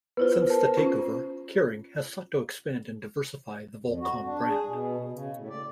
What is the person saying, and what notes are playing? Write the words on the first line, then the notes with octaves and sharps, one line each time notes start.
Since the takeover, Kering has sought to expand and diversify the Volcom brand.
B3 E4 F4 B4 C5
A#4 A5
C#4 F4 C5
F2
F#4
D4
G#4
B2
C#3
A2
D5